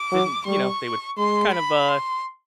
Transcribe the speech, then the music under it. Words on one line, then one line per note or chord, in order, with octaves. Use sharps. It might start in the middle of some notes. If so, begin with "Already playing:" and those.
didn't, you know, they would kind of, uh,
Already playing: D6
F#3
G3 C#6
G#3 C6
B5
C6